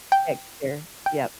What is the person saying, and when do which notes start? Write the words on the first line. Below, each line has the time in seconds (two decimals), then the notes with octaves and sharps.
Next year, yep.
0.12 G5
1.06 G5